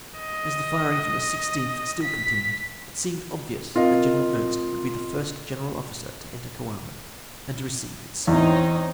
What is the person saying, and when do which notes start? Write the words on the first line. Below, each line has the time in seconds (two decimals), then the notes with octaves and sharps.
As the firing from the Sixteenth still continued, it seemed obvious that General Ernst would be the first general officer to enter Coamo, and to receive its surrender.
0.20 D#5
2.03 B6
3.75 C4 F4 A#4 D#5
8.27 E2 C4 D#4 C#5